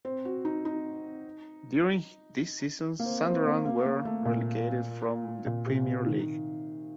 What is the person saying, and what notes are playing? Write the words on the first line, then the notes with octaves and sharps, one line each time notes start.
During this season Sunderland were relegated from the Premier League.
C4
F#4
D#4
D#4
A#3
C4
C4
A#3
A#3
A#3
A3
A#2
A#2
C3
D#3